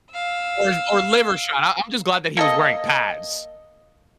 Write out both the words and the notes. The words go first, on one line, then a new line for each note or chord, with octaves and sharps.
or or liver shot. I I'm just glad that he was wearing pads
F5 E6
A#3 A4 D#5